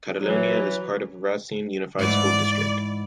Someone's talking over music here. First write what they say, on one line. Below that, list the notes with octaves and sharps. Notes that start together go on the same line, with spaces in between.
Caledonia is part of Racine Unified School District.
E3 F#3
G#2 E3 D5